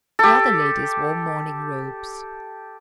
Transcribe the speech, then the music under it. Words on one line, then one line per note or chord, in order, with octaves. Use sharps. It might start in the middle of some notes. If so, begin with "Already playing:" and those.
The other ladies wore morning robes.
G4 A4